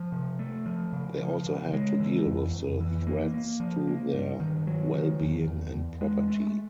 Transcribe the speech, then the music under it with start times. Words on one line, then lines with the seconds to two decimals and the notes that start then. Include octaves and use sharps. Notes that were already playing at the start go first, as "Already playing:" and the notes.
They also had to deal with the threats to their wellbeing and property.
Already playing: F3
0.12 C3
0.39 A3
0.66 F3
0.93 C#3
1.19 F3
1.46 C#3
1.73 G#3
2.00 E3
2.26 F2
2.53 F2
2.80 E3
3.07 A#3
3.34 A#3
3.60 F3
3.88 A#3
4.14 G2
4.40 D#3
4.67 F#3
4.94 D#3
5.21 E2
5.47 E2
5.74 E2
6.01 G#3
6.28 A3